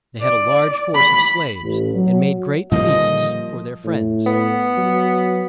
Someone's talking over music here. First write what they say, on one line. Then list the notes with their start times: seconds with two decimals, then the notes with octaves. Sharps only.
They had a large force of slaves, and made great feasts for their friends.
0.22 D5
0.96 B5
1.62 A1
1.94 F#3
2.72 A#2 D3 D#3 F3 G3 A#3 D#5
3.85 A2
4.26 B3
4.77 F#3